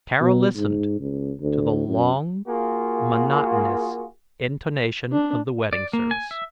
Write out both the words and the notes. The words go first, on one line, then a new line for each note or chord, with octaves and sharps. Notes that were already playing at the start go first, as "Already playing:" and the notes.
Tara listened to the long, monotonous intonation of the wedding service.
B2
G#2
C#2
D2
F#2
A#3 F4 F#4 G#4
D4
D5
A#3
G#5
E5